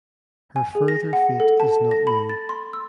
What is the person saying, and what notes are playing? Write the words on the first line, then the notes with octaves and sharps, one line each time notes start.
Her further fate is not known.
G#5
G#4
A#6
F#5
A4
A5
A#6
B5
A6
C6
E6